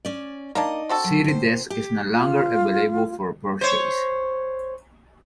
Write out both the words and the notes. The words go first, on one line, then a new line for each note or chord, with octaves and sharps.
CityDesk is no longer available for purchase.
C#4 D5
A#3 D4 D#4 D5 D#5
C4 F#4 A4
F#3
C3 C5
G4
F4
C5 C#5